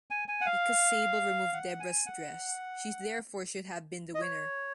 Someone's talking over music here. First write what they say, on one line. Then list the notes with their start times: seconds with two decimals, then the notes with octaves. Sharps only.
Because Sable removed Debra's dress, she therefore should have been the winner.
0.11 G#5
0.28 G#5
0.41 F#5
0.46 F5
1.53 F#5
1.80 G#5
2.06 F#5
4.15 D#5
4.21 C#5